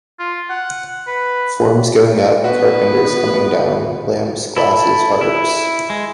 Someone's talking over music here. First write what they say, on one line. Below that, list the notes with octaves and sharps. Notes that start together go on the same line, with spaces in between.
Forms going up — carpenters coming down — lamps, glasses, harps.
F4
F#5
B4
B3 F#4 B4
E4 A4 B5
E4
G#3